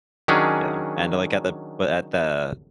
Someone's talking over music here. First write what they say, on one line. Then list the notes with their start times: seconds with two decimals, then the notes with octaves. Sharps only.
Yeah, and, like, at the but at the
0.28 D#3 F#3 C#4 D4 G#4